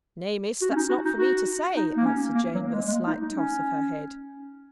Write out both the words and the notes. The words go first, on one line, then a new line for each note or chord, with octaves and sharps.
'Nay, miss, that's not for me to say,' answered Jane, with a slight toss of her head.
F#4
C#4
D#4
F#4
D#4
F#4
D#4
A#3
C#4
A#3
F#3
A#3
G#3
G#3
A#3
D#4
D#4
C#4